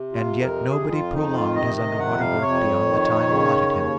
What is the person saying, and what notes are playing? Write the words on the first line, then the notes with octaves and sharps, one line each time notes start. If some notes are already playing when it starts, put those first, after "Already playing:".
And yet nobody prolonged his underwater work beyond the time allotted him.
Already playing: C3
F4
F2
A#4
F2 G#4
F4
D#3 D#4
F4
C3 D#5
D#5
F2 F#5
F5
F2 C#5
D#3
C#3
D#2